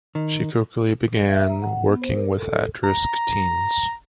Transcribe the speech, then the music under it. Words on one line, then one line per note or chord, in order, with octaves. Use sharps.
She quickly began working with at risk teens.
D#3
E5
A#5
F#5
B3
C5
A#4
A4
A#5